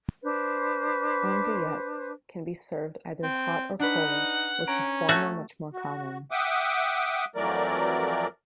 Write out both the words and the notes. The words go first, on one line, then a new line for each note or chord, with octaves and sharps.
Andouillettes can be served either hot or cold, with the former much more common.
D4 B4 C5
C4
D4 D#4 B4 F#5
C#4 A#5 D7
A3 F#4
F#4
E5 F#5 G5 D6 D#6
F2 E3 F#3 A3 A#4 D5